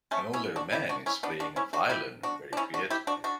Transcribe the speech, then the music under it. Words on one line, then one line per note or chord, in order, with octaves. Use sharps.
An older man is playing a violin very creatively.
A3 C#4
C#4 E4
D4 F#4
E4 G4
D4 F#4
C#4 E4
B3 D4
D4 F#4
C#4 E4
D4 F#4
E4 G4
D4 F#4
D4
C#4 E4
D4 F#4
E4 G4
D4 F#4
D4 F#4